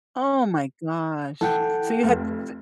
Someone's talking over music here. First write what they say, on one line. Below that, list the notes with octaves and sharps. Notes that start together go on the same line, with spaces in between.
Oh, my gosh. So you had s
E3 A4 F#5 G5
F1 F2